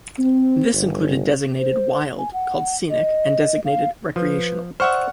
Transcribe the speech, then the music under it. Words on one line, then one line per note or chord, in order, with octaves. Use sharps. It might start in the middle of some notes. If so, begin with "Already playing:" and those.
This included designated "wild", called "scenic", and designated "recreational".
C4
G1
C5
G#5
F#5
D#5
F5
F3 B4
C5 D5 E5 F#5 C#6 F6